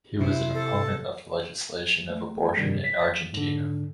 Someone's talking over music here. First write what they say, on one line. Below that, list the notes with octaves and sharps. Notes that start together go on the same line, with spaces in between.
He was an opponent of the legalization of abortion in Argentina.
C3 E4 C5
A4
A3
G2 C3 D#3 G3
B6
G#2 D3